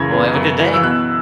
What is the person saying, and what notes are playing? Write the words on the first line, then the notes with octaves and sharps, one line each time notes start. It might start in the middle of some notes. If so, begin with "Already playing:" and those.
Well, have a good day.
Already playing: F#2 C#3 E3 G#6 A#6
B3
F#2
E3
E6
B2 F#6